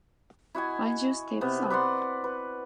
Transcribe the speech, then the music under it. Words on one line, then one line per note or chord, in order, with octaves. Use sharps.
Banjo Steps Out.
E4 F#4 D#5 G#5
C3 B3
B4 D5 F#5 C6
B4